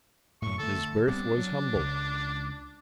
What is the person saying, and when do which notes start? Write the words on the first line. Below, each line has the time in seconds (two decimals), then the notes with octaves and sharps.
His birth was humble.
0.42 F#2 A2 C#6
0.59 D3 A3 A4
1.07 G3 B3 C4 D4
1.37 F#3
1.74 C#2